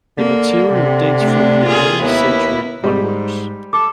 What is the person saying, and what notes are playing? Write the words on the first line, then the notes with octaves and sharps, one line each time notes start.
The material dates from the eleventh century onwards.
D3 A#3
C3
A3 D4
A#3 F4 G#4
D#2 A#3 B3 E4
G#2 G3
A4 D6